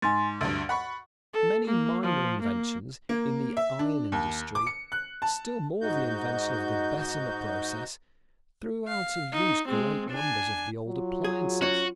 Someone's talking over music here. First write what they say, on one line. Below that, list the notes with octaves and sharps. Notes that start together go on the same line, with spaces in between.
Many minor inventions in the iron industry, still more the invention of the Bessemer process, threw out of use great numbers of the old appliances.
G#2 G#5 C6 A6
D2 G2 A6
F#5 B5 C#6
A4
A#3
F3
A#3
A#3
E5
D4
D#2
D6
C#7
F#6
A5
G#2 D#4 F#4 G6
F5
D#4
G#3 C4
D4 G#5
F#3 F4
G#4
C#4 F#4 C#5